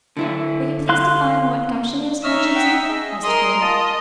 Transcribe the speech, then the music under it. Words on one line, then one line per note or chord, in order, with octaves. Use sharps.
"Will you please define what gumption is, Aunt Jimsie?" asked Phil.
D3 E4 E5
F5 C6 F#6
D#4 C#5 D#5 E5 F6
F#5 G5
G#4 D#5
G#4 A#4 D#5 C6 D#6
F4 D#5 A5